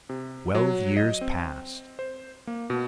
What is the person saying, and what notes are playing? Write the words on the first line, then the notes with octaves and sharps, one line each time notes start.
Twelve years passed.
C3
F#3
D#5
C4
C5
A#3
B2